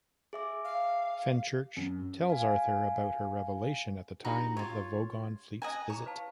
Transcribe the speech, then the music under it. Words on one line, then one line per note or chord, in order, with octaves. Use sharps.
Fenchurch tells Arthur about her revelation at the time of the Vogon fleet's visit.
G#4 E5 D6
F5
F#2
F5 G#5
D4 D#4 F#4 G4 B5
F4 C#5
D#5 F#5 G#5 A#5
E4 G#4 C#5 A#5
B4 F5 A5